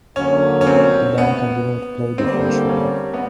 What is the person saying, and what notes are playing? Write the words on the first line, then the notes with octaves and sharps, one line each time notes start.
The band continue to play different shows.
D3 F#3 A#3 C#4
C#4
C4
B3
D3 G3 A#3 C4
C#4
B3